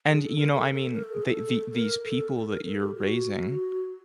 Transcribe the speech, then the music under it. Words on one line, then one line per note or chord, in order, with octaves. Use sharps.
And you know, I mean, they the these people that you're raising
G#4
A4
A#4
A4
A4
A#4
A4
G#4
A4
A#4
A4
A4
A#4
A4
G4
F#4